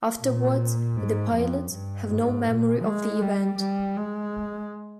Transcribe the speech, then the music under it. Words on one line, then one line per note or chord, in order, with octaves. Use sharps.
Afterwards, the pilots have no memory of the event.
A#2
G#2
F2
G2
G#2
A#2
G#3
G3
G3
G#3